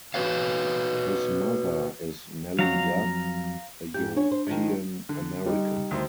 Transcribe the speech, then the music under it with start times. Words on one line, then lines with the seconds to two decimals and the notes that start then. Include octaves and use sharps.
His mother is Nellie Guth, a European-American.
0.14 F#4 B4 C#5 F5
2.59 F2 F#3 F5 A#5
3.94 G#2 G4 G6
4.17 C#4 D4 C#5
4.32 C5
4.47 D#3 F3 G#3
5.09 D3
5.46 G3 D#4
5.91 D2 D#3 C5